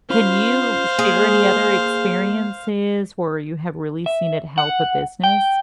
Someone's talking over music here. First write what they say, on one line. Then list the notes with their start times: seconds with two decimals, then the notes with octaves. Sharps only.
Can you share any other experiences where you have really seen it help a business?
0.10 C#4 F4 C5 F5 B5
0.99 A#3 G#4
4.06 E5
4.58 F#5
5.24 G5